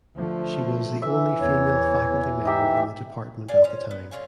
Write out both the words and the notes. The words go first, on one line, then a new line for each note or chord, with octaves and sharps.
She was the only female faculty member in the department at the time.
D3 F3 A3
E3 E5
E2 C#5
D#4 G4 E5
D5 F5 G#5
F3 C#4
B3
D3 C#4 F4 G#5